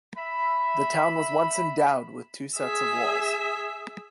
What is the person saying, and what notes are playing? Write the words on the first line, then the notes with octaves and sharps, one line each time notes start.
The town was once endowed with two sets of walls.
E5 B5
G#4 E5